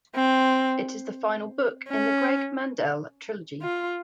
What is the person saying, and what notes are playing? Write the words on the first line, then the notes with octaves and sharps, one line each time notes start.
It is the final book in the Greg Mandel trilogy.
C4
C#4
F4